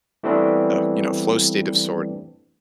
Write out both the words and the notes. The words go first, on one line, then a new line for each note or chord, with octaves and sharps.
uh, you know, flow state of sort
E3 G3 A3 B3 C4 D4